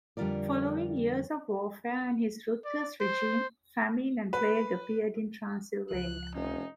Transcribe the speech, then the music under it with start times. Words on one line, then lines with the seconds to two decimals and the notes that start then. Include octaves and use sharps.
Following years of warfare and his ruthless regime, famine and plague appeared in Transylvania.
0.17 F2 D3 G3 F4 A#4 D5
2.65 D5
3.01 C5
4.33 B4
5.91 C#2 F3 F#6
6.35 F1 C#4 D#4